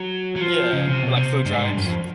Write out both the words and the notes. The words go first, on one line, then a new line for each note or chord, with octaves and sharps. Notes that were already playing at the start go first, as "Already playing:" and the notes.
Yeah, like food drives.
Already playing: F#3
F#3
F3
C#3
C3
B2
C3
G2
G#2
G2
F#2
F2